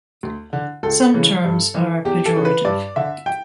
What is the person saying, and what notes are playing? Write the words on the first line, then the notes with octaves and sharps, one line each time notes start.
Some terms are pejorative.
D2
D3
C#2 A4
C#3 E3
G2
E3
E2 G4
A4
C#3 E3
B4
G2 D5
D3 E5
G5